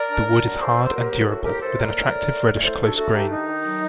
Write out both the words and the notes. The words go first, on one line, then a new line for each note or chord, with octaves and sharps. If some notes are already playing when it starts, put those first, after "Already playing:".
The wood is hard and durable, with an attractive, reddish, close grain.
Already playing: A#4 D5
D4
D4
F#3
A2 A4 C5
F#3
C5
A#3 G4 A#4
F#3
A2 F#4 A4
A2 G4 A#4
A2 A4 C5
A#3 A#4 D5
A2
A2
A2
A3
A2 A4 C5
D4 F#4 A4
A3 F#4 A4
D4 D#4 G4
D#3 D#4
D#3
F#3